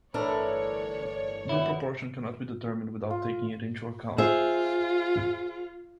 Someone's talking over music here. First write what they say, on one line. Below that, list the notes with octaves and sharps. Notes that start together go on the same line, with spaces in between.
Due proportion cannot be determined without taking it into account.
G1 A2 E3 D4 A4 A#4 C#5 D5
B2 B3 E4
F4
F4 G#4 C5 E5